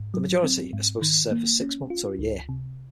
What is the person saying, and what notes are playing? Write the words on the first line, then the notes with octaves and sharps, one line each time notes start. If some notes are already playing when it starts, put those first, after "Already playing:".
The majority are supposed to serve for six months or a year.
Already playing: G#2
F#3
C4
G#2
D#3
A#3
C#4
F4
C#2
C3